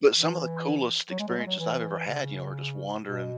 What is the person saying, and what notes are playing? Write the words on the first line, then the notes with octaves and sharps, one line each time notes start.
But some of the coolest experiences I've ever had, you know, are just wandering
E3
F#3
G#3
F#3
G#3
F#3
E3
C#3
B2